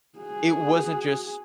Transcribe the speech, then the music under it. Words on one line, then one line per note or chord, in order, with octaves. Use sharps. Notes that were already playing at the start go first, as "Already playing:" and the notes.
it wasn't just,
F#4 G#4